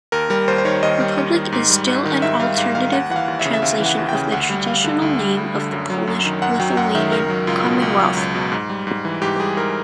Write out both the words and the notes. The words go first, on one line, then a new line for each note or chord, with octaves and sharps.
"Republic" is still an alternative translation of the traditional name of the Polish-Lithuanian Commonwealth.
D#2 A#4
G3 A#4
D#2 C5
C5
D#3 C#5
D#2 D#5
G3
D#2
D#3
G#2
G3
G#2
D#3
G#2 E5
G3 F5
G#2 F5
D#3 F5
D#2 F#5
E3 F#5
F5
D#2
E5
C#3
E5
D#2 F5
E3
F#5
D#2
G5
C#3
D2 F#5
G3
D2 F5
D3
D2
G3
D2
D3
F#2
F#3
F#2
D#3
F#2 F#5
F#3 G5
F#2 F#5
D#3 E5
C#2 A#4
F#3
C#2 F4
B2
C#2
F#3
C#2
B2
G#2
G3
G#2
E3
G#2 G4
G3 G#4
G#2 A#4